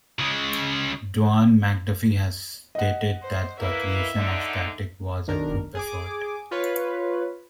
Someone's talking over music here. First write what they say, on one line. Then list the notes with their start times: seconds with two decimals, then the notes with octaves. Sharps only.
Dwayne McDuffie has stated that the creation of Static was a group effort.
0.19 C#3 G#3
2.75 D#5 F#5
3.22 C5
3.59 A#3 E4 B4 E5
4.15 G#2 D3 D#4
5.27 B1 D#3 D4 A#4
5.75 G#4 G#5 D6
6.51 F4 B4 C#5